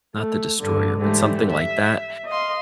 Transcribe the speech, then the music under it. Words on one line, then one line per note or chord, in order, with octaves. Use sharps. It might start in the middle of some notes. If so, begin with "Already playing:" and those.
not the destroyer but something like that.
A3
G2 D3
G#2 D3 E3 G3 A3
E5
D#5 F5 C6